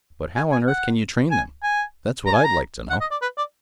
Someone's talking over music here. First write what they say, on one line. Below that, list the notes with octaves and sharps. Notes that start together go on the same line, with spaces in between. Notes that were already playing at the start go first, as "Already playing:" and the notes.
"But how on earth can you train them? That's what I'd like to know."
G#5
G#5
F#5
G#5
G#5
A#5
G#5
A#5
F#5
D#5
D5
B4
D5